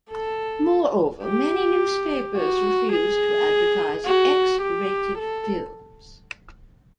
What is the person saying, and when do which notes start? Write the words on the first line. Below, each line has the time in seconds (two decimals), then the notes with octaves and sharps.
Moreover, many newspapers refused to advertise X rated films.
0.11 A4
1.24 G4
2.37 F#4
2.93 G#4
4.05 F#4
4.62 G4
5.18 A4